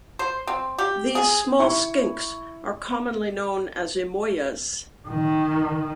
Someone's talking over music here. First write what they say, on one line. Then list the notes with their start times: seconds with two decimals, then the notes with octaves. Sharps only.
These small skinks are commonly known as emoias.
0.19 C5
0.47 C4
0.79 G4
1.15 G#4
1.59 E4 C#6
5.08 D#3